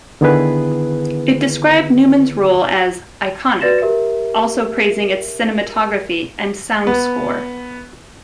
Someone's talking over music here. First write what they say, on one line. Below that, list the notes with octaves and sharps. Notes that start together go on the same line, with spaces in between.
It described Newman's role as "iconic," also praising its cinematography and sound score.
D3 D#3 B3 E4 G#4 B4
F#4 B4 D5 A6 A#6 E7
G4 A#4 E5
B3